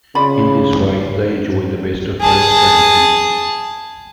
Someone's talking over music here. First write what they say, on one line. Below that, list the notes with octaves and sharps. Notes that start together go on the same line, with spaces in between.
In this way, they enjoy the best of both strategies.
C#3 F4 D5 B5
G#4 A5